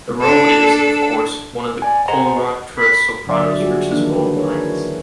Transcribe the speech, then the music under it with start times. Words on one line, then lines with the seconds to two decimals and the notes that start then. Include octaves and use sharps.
The role is, of course, one of the coloratura soprano's richest gold mines.
0.21 D4 A4
1.82 D5 G#5
2.08 G#4 C5 D#5 F#5 A#5
2.78 B5
3.27 D3 F#3 D5 E5
3.60 G3 F4 F#4 G#4
3.90 D#3 F3 A#3 D4 D#4
4.11 B4
4.37 E4 G#4 A#4 C#5
4.66 E4